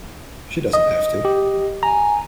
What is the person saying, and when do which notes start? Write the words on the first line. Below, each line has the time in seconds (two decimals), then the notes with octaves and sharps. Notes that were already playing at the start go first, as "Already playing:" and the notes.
She doesn't have to.
0.73 D#5
1.25 G4
1.83 G#5 A#5